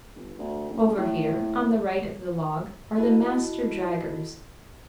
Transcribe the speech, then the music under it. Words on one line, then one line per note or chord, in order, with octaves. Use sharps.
Over here on the right of the log are the Master Draggers.
G1
D2
F#1
A2
E4 F#4 A4 D#5 A5 B5